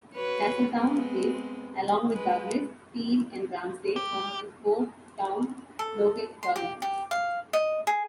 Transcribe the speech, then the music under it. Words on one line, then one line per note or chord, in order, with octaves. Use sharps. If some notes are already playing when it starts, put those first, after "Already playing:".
Castletown is, along with Douglas, Peel and Ramsey, one of four town local authorities.
F#4 B4 C#5
G#3 B3 C4
G#3 B4
G4
A4
C6
G4
G4
F5
D#5
G#4